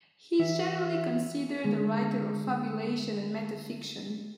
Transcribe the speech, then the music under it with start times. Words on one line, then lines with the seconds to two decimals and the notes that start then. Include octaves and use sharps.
He is generally considered a writer of fabulation and metafiction.
0.39 E3 E5
1.64 D3 G#3